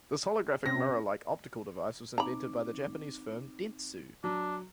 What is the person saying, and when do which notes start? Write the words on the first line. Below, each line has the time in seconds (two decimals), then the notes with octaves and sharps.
This holographic mirror-like optical device was invented by the Japanese firm Dentsu.
0.66 C3 C4 C#4 A#6
2.18 C4 D#4 A#5 B5 D6
4.24 F#3 D4